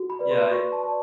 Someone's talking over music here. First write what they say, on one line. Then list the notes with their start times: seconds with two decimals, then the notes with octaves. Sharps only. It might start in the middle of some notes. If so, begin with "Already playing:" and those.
Yeah, I
Already playing: F#4
0.10 B5
0.19 B4 D5
0.31 C6
0.51 F#4 C#6
0.72 A5
0.83 B4 D5 A5